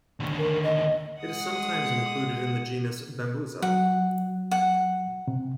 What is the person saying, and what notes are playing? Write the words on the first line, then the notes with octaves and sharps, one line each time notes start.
It is sometimes included in the genus "Bambusa".
D#2 D3
A#4
D#5
G#3 F#5 D#6
F#3 F#5
F#5
C3